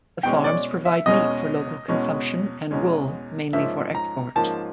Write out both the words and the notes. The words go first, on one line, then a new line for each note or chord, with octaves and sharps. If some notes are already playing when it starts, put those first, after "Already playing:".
The farms provide meat for local consumption and wool mainly for export.
E2 B2 G#3 C#4 G5
D5
E5
E2 B2 G#3 C#4 D#5
E2 B2 G#3 C#4
E2 B2 G#3 C#4
G#2 F3 A#3 C#4 E5
A#5
G#2 F3 A#3 C#4 A5